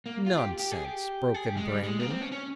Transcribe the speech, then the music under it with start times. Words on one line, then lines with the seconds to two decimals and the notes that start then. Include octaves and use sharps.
"Nonsense!" broke in Brandon.
0.06 A#3
0.26 F4
0.37 G4
0.59 G4
0.71 G#4
0.84 G4
1.34 G#4
1.46 G4
1.57 G#3
1.67 G3
1.83 G#3
2.00 A#3
2.10 C4
2.21 C#4
2.32 C#4